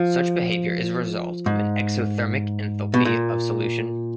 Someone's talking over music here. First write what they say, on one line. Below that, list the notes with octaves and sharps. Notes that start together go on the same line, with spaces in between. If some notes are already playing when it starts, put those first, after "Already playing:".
Such behavior is a result of an exothermic enthalpy of solution.
Already playing: F3
G#2
B2
A#2